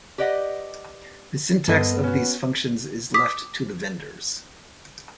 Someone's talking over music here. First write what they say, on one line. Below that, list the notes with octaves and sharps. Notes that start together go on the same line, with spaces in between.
The syntax of these functions is left to the vendors.
G4 B4 D5 D#5 F#5
G2 B3 A4 C5 D#5
C#4 F#4
D6 D#6 B6